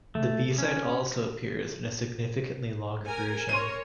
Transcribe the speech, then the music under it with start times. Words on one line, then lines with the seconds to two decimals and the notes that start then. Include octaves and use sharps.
The b-side also appears in a significantly longer version.
0.15 A3
0.58 C#4
3.06 A#4 G#5
3.49 A#4 C#5 C6 D#7